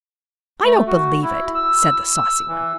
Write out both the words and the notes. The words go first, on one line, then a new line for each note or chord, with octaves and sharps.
"I don't believe it," said the saucy one.
A3
F#4
E4
E6
E3